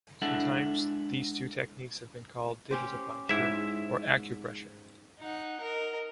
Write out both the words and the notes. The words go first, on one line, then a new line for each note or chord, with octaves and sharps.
Sometimes, these two techniques have been called digitopuncture or acupressure.
G#3 D4 E4 A4 E5 F#5
C#4 G4 C5
G#2 E4 E5
D#4 F#5
A#4 D#5